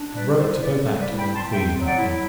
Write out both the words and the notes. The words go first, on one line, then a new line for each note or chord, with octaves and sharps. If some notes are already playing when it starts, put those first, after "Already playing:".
I have wrote to both Acton and the Queen about you.
Already playing: D4
G3 B4 D5
E4 A4 C5
C4 B4 D5
G3 A4 C5
B4 D5
E4
G5 B5
C4
A5 C6
C4 E5 G5
F#3
D5 F#5
E4